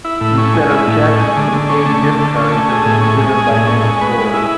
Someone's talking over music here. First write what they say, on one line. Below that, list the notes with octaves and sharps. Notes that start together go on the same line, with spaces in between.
Instead of cheques, prepaid gift cards are being given by many stores.
E4
A2
C#4
G#3
E4
A2
C#4
G#3
D3
D3
C#4
A3
D3
D3
C#4
A3
G#4
A2
C#4
G#3
G#4
A2
C#4
G#3
B4
G#3
E4